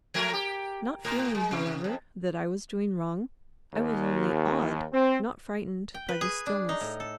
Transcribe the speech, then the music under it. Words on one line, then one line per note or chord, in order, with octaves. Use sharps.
Not feeling, however, that I was doing wrong, I was only awed not frightened by the stillness.
F3 A3 A#4
G4
A2 A#4
G#3
C3
F2
D#2
C4
G5
B4
G#4
D4
D#4
A2
A4